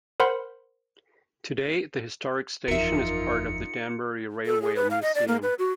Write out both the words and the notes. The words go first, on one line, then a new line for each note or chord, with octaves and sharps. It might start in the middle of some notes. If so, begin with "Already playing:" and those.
Today, the historic station is part of the Danbury Railway Museum.
A#4 C5 F#5 B5 C6
F#1 E2 F3 D#4 F4 A#4 E5 C#7
A4
G#4
B4
F5
D#5
D5
A#3
B4
F#4